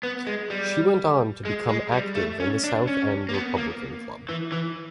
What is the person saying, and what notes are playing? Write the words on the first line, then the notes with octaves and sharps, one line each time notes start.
She went on to become active in the South End Republican Club.
B3
G#3
G3
G#3
G#3
G3
A3
C#4
D4
C#4
A#3
B3
A#3
E3
E3